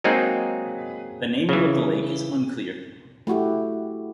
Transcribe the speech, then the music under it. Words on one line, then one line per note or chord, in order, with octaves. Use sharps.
The naming of the lake is unclear.
F#3 G#3 A#3 C4 D#4 G#4
C#3 E3
A3 E4 F#4 G4